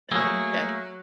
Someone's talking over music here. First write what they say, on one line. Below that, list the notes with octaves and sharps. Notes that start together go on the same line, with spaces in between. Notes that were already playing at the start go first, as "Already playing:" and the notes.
Oh, okay.
F#3 A3 A#3 G#4